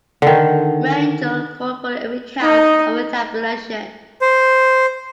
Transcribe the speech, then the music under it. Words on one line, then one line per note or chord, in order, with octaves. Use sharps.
Rangel called for a recount of the tabulation.
D3 D#3
D#4 D#5
C5